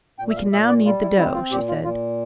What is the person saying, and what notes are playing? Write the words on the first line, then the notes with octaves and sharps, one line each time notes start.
"We can now knead the dough," she said.
A#2 G5
E5
F5
A#2 E5
D5
G3 F4
E4
C4 E4
F4
A#2 G4
F4
A#2 F4